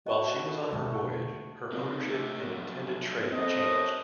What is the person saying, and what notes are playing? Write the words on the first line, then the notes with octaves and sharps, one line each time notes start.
While she was on her voyage her ownership and intended trade changed.
B2 F#4 D#5 C#6
B2 D3 G#3 A3
C3 C4 D#4
A3 G4 A#4
F3 F#3 B3
C4 A4 A#4 C5 D#5
A#4 C#5